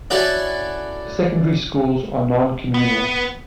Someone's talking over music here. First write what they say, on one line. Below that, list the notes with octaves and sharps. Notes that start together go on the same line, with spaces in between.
The secondary schools are non-communal.
C#4 D4 E4 F#4 A4
B3